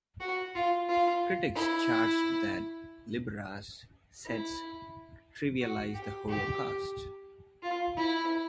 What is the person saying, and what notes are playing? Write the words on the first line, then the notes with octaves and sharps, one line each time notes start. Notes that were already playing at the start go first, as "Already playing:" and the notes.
Critics charged that Libera's sets trivialize the Holocaust.
F#4
F4
F4
E4
E4
F#4
G4
G4
F4
E4